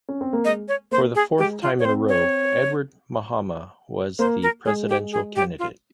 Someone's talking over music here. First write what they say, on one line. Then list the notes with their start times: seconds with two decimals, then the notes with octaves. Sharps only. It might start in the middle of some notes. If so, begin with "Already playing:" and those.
For the fourth time in a row, Edward Mahama was the presidential candidate.
0.09 C#4
0.21 C4
0.33 A#3
0.45 G#3 D#5
0.68 C#5
0.91 A#3 C5
1.15 G#4
1.38 G#3 G4
1.62 F4
1.79 C#5
1.85 C4 C5
2.09 C#5
4.19 A#3 C5
4.43 A#4
4.65 G#3 G#4
4.89 G4
5.12 G#4
5.36 G4
5.59 F4